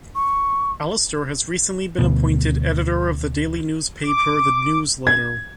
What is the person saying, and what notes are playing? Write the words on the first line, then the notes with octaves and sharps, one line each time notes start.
Alistair has recently been appointed editor of the daily news paper The News Letter.
C#6
D2 B2
D6
G#6